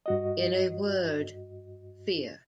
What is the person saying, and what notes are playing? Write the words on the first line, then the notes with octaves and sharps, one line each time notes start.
In a word, fear.
G2 F#4 D#5